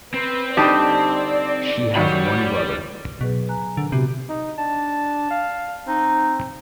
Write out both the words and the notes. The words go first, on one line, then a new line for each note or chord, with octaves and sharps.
She has one brother.
C4 B4
D3 G3 D#4 G4 D5 A5
D#3 F#3 G3 B5
B2 F#3 G#4 B4
G#5 A#5 F#6
A#2 D3
C3 B3 F#4 G4
D#4
D4 A5
F5
C4 D#4